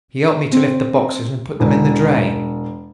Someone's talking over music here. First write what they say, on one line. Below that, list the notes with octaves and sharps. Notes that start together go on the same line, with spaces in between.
He 'elped me to lift the boxes and put them in the dray.
C4
E1